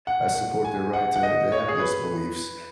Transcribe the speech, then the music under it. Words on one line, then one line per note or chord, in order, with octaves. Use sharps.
I support their right to to have those beliefs
F#5
F#5
G#5
F#5
F#5
D#5
C#5
G#4
B4